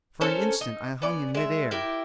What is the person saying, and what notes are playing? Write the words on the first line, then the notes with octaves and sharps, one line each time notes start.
For an instant I hung in mid air.
C#4 A4 A#4 C5
D#4
B3 C#4 D5
G#3 E5
E4 G4 A#4